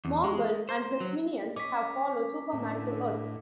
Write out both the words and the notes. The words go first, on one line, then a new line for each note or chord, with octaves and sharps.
Mongul and his minions have followed Superman to Earth.
E2
G#3
C5
F#3
C#4 D#5 D6 B6
A2 D3 E4